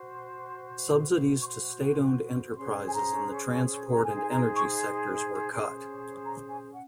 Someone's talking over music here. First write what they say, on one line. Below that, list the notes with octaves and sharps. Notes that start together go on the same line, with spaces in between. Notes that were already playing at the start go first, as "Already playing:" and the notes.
Subsidies to state-owned enterprises in the transport and energy sectors were cut.
Already playing: F#4 C5
C6
C6
F#4 C5 C6
C#6
C6
C6
C#4 G#4 C5 C6
G#5
A#5
A#5
D#4 G#4 C5 G#5
G#5
A#5
C#6
C6
C#4 G#4 C5 C6
A#5
G#5
F#5